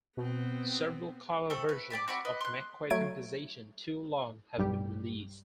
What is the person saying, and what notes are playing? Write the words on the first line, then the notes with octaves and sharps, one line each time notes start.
Several cover versions of McCoy's composition "Too Long" have been released.
B2 B3 C4
A3 C4 A4
B4
D5 G5 A5 B5
C4 F#4 D5 B5
B4 D#5
C6 F#6
F#3 A3 G#6 D7
B1 G2 G3 G4